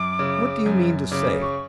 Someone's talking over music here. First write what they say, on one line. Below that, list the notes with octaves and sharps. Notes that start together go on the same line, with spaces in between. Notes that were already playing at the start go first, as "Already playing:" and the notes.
"What do you mean to say?"
Already playing: F#2 D6
C#3
F#2
C#3 D6
C#6